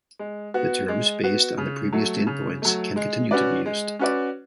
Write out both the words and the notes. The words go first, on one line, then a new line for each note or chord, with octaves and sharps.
The terms based on the previous data points can continue to be used.
G#3
B3 F#4
G#3
B3 F#4
C#3
F#3 A3
C#3
F#3 A3
G#3
C#4 F#4 B4 D5
G#3
C#4 F#4 B4 D5